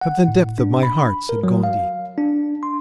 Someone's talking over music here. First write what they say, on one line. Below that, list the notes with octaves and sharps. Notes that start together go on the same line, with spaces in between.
"From the depth of my heart," said Gondy.
F#5
A2
D4
B5
A#4
F#3
F5
D4
C6